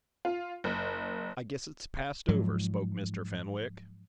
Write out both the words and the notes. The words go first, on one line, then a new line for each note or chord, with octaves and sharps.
"I guess it's passed over," spoke Mr. Fenwick.
F4
F#1
G#2 F3 F#3